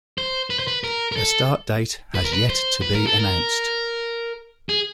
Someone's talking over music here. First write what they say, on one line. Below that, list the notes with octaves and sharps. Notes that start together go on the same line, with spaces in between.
A start date has yet to be announced.
C5
B4
C5
B4
A#4
A#4
A4
B4
A#4
B4
C5
B4
A#4
A4
A#4
G#4